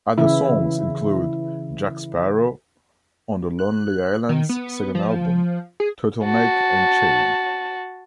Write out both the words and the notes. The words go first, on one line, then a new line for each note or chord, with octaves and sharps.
Other songs include "Jack Sparrow" on The Lonely Island's second album, "Turtleneck and Chain".
C#3 E3 E4
F#6
D#3
B3
F3
G#4
F#4 A5